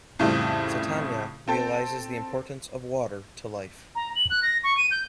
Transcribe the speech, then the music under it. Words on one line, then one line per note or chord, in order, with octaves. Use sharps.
Satanaya realizes the importance of water to life.
F2 A2 C#3 G3 A3 C4
C4 A4 G5
A#5
F#7
F#6
A#6
C#6
D#7
G6